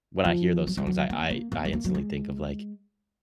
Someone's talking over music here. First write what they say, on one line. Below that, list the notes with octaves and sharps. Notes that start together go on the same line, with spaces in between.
when I hear those songs, I I I instantly think of like,
F3
F#3
G#3
F#3
A#3
A#3
A#3
G#3
A#3
F#3
G#3